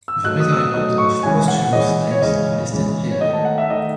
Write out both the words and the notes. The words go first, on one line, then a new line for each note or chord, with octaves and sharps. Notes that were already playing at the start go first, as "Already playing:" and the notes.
The retirement or posthumous names are listed here.
E6
F#3 A3 D#4 F#6
D#6
E6
D#6
F#3 A3 D#4 D#6
C#6
C#3 E3 G#3 C#4 G#5
F#5
C#3 E3 G#3 C#4 D#5
C#5
C#3 E3 G#3 C#4 D#5
C#3 E3 G#3 C#4
C#5
D#3 A3 D#4 D#5
A5
F#5
E5
D#3 A3 D#4 D#5